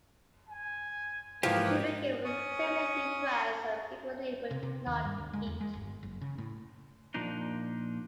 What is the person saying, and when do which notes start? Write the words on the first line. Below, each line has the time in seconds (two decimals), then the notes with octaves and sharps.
She became severely depressed, and frequently would not eat.
0.49 G#5
1.43 G#2 E3 F3 A#3 G4
2.25 C#4 C#6 D#6
4.51 C3
4.63 C3
4.86 D#2
5.05 G2
5.18 D2
5.33 G#3
5.47 E2
5.61 G#3
5.74 G1
6.03 F#1
6.21 C#3
6.38 A2
7.14 A#2 F3 A#3 D4 D#4